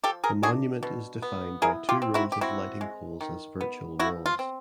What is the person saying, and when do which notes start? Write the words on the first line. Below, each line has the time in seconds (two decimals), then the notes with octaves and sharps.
The monument is defined by two rows of lighting poles as virtual walls.
0.03 F3 G4 A4
0.24 G#4 A#4
0.43 D4 F#4 G#4
0.83 B2
1.22 B3
1.62 E4 G#4 A#4
1.89 F4 G4
2.02 C4
2.14 E4 F#4
2.32 G4
2.41 C4 E4 F#4
2.81 G#3
3.21 D#3
3.61 B3
3.99 F3 E4 F#4
4.26 F4
4.39 C4